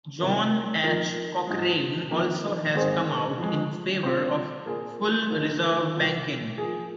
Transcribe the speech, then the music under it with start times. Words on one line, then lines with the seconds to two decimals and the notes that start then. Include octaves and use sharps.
John H. Cochrane also has come out in favor of full reserve banking.
0.19 C2 C3 D#3 A#3
0.83 F2 F3 A#3 D#4 A#4
1.47 G#2 F3 G#3
2.11 F2 D#3 A#3
2.75 G#2 D#3 C4 G#4 C5
3.38 F2 F3 G#3
4.02 F3 C4 F4 C5
4.66 A#2 A#3 G#4
5.30 D#2 D#3 A#3 D#4 A#4
5.94 C2 C3 F3
6.58 F3 A#3 G#4